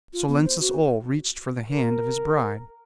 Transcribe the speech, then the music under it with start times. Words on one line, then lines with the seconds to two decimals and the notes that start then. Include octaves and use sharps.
Salensus Oll reached for the hand of his bride.
0.13 F4
0.28 B3
0.45 C5
0.60 F#4
1.70 A#4